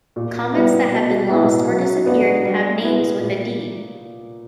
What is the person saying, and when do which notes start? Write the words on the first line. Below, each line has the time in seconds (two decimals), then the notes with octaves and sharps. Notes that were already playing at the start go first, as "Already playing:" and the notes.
Comets that have been lost or disappeared have names with a "D".
0.16 A#2
0.53 G3 B3 E4
0.92 B2
1.29 G#3 B3 E4 G#4
1.68 F#3
2.06 B3 D4 F#4
2.44 G3
2.81 B3 E4
3.20 A#2